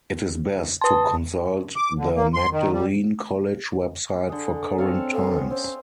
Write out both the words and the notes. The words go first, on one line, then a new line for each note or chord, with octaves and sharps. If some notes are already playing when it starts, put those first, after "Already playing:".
It is best to consult the Magdalene College website for current times.
B4 A5 C6 D#6
D6
D3
A#3
C6
D#3
G3
D3 G#4
C4 A4 C#5 F5
B3 A4 F5 G#5
C4 C#4 C5